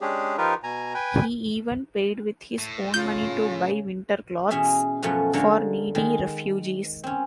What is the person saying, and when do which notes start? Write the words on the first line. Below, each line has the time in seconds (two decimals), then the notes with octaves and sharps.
He even paid with his own money to buy winter clothes for needy refugees.
0.01 G#3 C#4 D4 G4 G#4
0.38 F3 D#4 F4 G4 A#4 B4
0.63 B2 G#5 A#5
0.94 B4 G5 G#5
2.59 A2
2.94 C#3 F4 G6
4.51 B2 E3 C#4 G#4 E5
5.02 F#2 B2 F3 A3 C#4 F#4
5.33 D3 G#3 A4 A#4 C#5 F5
5.95 D#3 G#3
7.04 C4 C#4